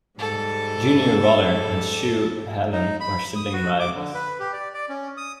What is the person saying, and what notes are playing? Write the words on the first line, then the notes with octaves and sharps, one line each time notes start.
Junior Rotter and Sue Helen were sibling rivals.
G#2 G3 A4
D#4
B5
D#6
F#4
D6
D3
B4
G4
D5
D5
C#4
D#6